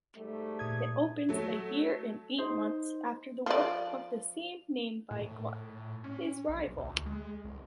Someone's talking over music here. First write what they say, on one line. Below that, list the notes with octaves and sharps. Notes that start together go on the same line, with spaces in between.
It opens a year and eight months after the work of the same name by Gluck, his rival.
G#2 G3 A3
A#2 D#6 G#6
F#3 A3
D#4 C5
F3 D5
A2
A2
C#4
B1
D2
G#3
C2